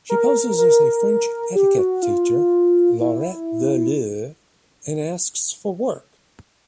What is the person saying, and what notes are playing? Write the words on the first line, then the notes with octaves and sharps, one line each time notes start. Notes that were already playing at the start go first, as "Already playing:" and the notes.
She poses as a French etiquette teacher, Laurette Voleur, and asks for work.
A#4
A#4
G4
F#4
F4
E4